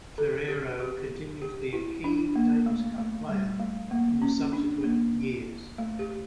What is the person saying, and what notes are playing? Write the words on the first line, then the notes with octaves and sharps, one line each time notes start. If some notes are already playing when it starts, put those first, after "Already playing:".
Ferrero continued to be a key Davis Cup player in subsequent years.
A4
G4
G4
G4
E4
D4
A#3
A3
A3
G3
A3
A#3
C#4
D4
A#3
A3
G4